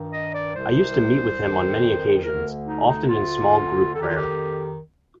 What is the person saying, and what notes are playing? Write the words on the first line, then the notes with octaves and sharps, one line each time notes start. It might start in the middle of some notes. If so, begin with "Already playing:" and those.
I used to meet with him on many occasions, often in small group prayer.
Already playing: G2 D#3
D#5
D5
C2 C3 D#3 C5
F2 D#3
D2 D3 A#4
D#4
D#4
D2 D3 F4
F2 D#3 G4 A4
F4
G4